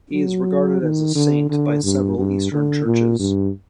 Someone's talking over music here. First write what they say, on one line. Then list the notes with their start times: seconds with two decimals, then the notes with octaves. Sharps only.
He is regarded as a saint by several Eastern churches.
0.13 F#3
0.82 D#3
1.15 D3
1.50 D3
1.84 G2
2.18 G2
2.52 D3
2.86 A#2
3.19 G2